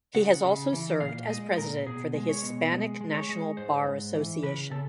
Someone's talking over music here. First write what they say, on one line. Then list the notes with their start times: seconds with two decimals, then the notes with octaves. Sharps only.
He has also served as president for the Hispanic National Bar Association.
0.15 C#3 F#5
0.44 C#3
0.72 E3
1.00 A#2 F5
1.29 G#3 D#5
1.58 A#2 A#4
1.87 B2 G#4
2.14 G#3
2.29 C#5
2.43 B2
2.72 G#3
3.01 G#3
3.14 C#5
3.29 G#3
3.57 G#2 C5
3.85 G#2
4.14 E3
4.43 C#3 B4
4.71 C#3 A4